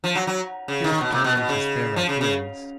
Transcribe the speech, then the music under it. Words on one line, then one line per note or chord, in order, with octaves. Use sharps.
She was determined to spare my feelings.
F3
F#3
F#3
C#3
D#3
B2
A#2
B2
B2
C#3
F3
C#3
C#3